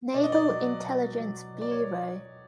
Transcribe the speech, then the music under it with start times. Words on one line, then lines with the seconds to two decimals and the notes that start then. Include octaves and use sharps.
Naval Intelligence Bureau.
0.14 B2 D5
0.23 D#5
0.32 D5
0.49 F#3
0.84 B2
1.19 F#3
1.54 B2
1.62 D5
1.71 C#5